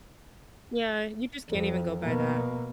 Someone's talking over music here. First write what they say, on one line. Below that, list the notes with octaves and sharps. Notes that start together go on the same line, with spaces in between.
Yeah, you just can't even go by that.
F2
B2 A#3